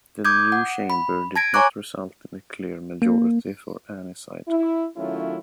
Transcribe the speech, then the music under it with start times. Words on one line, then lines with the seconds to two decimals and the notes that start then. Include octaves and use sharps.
The new chamber did not result in a clear majority for any side.
0.25 D6 D#6 G6 G#6
0.52 F#5
0.90 B5
1.36 A5 G#6 A#6 D7
1.54 C#5 G#5 A#5 C#6 D6 F#6
3.02 A#3
4.48 E4
4.97 D#3 F#3 A3 C#4 E4 F4